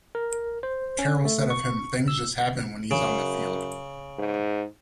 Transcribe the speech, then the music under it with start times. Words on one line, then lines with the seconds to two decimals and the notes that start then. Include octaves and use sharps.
Carroll said of him Things just happen when he's on the field.
0.15 A#4
0.63 C5
0.99 C#4
1.25 A3
1.50 C#6
2.08 E6
2.91 F#2 C#3
4.19 G#2